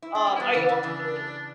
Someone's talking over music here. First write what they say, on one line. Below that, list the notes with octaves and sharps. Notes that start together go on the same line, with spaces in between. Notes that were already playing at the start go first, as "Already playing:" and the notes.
Um, are you also doing
E4
D4
C#4
E4
G3 B3 D4
C#3 E3
C#3 E3
C#3 E3